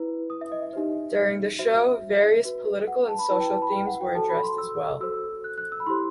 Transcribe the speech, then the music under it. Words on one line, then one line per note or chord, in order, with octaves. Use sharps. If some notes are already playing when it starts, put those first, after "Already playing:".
During the show, various political and social themes were addressed as well.
Already playing: E4 B4
D#6
E5
D#5
E5
D#4 G4 C5
F#4 C5 E5
F#4 B4
F#5
A5
B5
E4 B4 A5
G5
A5
B5
G5
F#5
G5
F#4 A4 C5 A5
B5
C6
E6
F#4 A4 C5 E6
F#6
F#6
E6
B5
E4 G4 C5 C6